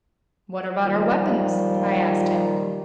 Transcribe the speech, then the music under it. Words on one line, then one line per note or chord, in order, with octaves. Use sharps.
"What about our weapons?" I asked him.
D#2 A#2 D#3 F3 G3